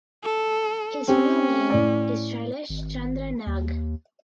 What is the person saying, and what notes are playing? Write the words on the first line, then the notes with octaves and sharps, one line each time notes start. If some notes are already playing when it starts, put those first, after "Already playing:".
His real name is Shailesh Chandra Nag.
A4
C4 C#4 G4
A2 D5
G#1
D#2